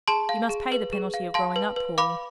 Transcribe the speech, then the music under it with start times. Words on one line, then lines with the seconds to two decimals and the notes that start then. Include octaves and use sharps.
You must pay the penalty of growing-up, Paul.
0.08 G#4 A5 C6
0.29 F5
0.49 G#4
0.72 B4
0.93 G#4
1.14 F5
1.34 F5 A5 C6
1.56 B4
1.76 B4
1.98 F5 B5 D6